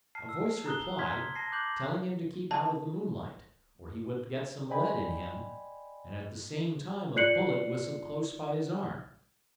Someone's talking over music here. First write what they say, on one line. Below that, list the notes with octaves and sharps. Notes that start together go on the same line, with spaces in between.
A voice replied, telling him to keep out of the moonlight or he would get some lead in him, and at the same time a bullet whistled close by his arm.
A5 F6 C7
E6
A#5 D#6 F#6 G7
A#5 C6 F6 G#6 B6
A5 A#6 C7
D6 F#6 G6 F#7
A5
C5 D5 D#5 G5 G#5 B5
F4 D5 F#6 C7 C#7 F#7